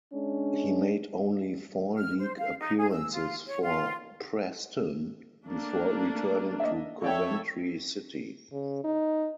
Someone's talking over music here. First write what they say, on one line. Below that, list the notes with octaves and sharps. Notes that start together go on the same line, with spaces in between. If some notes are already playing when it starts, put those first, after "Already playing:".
He made only four league appearances for Preston before returning to Coventry City.
G#3 C#4 D4
F6
C5
F5
D#4
G#4
E6
F4
C#5
F4
A3 A#3 D4
D#5 E5
F2 A4 C#5 D5 E5 G5
C#3
D#4